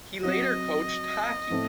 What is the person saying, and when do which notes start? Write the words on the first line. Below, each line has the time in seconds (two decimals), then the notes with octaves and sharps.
He later coached hockey.
0.23 F#3 C4 F#4 D#5
1.51 A2 A3 C4